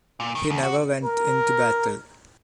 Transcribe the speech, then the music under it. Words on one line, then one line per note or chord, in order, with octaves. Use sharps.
He never went into battle.
A#2
D#3
D#2
F#4
A#4